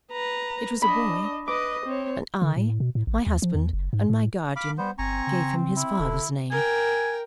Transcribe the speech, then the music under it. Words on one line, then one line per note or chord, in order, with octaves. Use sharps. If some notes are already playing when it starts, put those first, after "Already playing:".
It was a boy; and I, my husband, and my guardian gave him his father's name.
B4 A#5
D4 D#5 B5
B4 D#5 D6
C4 C#5
D3
A2
B2
A2
A1
D#2
F3
E2
F#1
G#2
A2
F5 B5 D6
G3 B3 C5
G1 C4 G#5 A#5 C#6
C#3
E4
E1 D3
A#4 G5 G#5